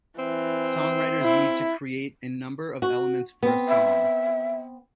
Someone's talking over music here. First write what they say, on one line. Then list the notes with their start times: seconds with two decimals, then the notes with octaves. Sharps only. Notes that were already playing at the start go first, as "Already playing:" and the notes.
Songwriters need to create a number of elements for a song.
0.19 E3 C4
1.21 E4
2.82 F#4
3.43 B3 C4
3.69 E5